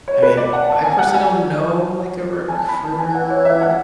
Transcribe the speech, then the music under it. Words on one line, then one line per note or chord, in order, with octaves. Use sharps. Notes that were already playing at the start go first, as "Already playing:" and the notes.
I mean, I personally don't know, like, a recruiter
C#5
B4
D5
F#5
A5
G#5
F#5
G#5
G#5
A5
B5
A5
G#5
F#5
C#5
E5
F#5